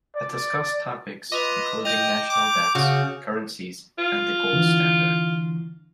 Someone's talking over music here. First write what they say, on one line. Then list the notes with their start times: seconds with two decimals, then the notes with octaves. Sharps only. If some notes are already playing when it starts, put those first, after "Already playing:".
It discussed topics including national debts, currencies, and the gold standard.
0.16 D5
1.32 F4 B4 D#5 D6 F7
1.85 D#5 G5 G6 F7
2.30 D6
2.75 C#3 F#4
3.99 F4
4.53 D3 E3